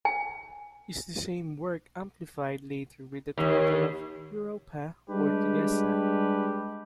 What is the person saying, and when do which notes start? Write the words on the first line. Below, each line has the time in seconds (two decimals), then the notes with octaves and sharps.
Is the same work amplified later with the title of "Europa portuguesa".
0.05 G#5
3.38 D#2
5.08 G3 G#3 D4 G4 B4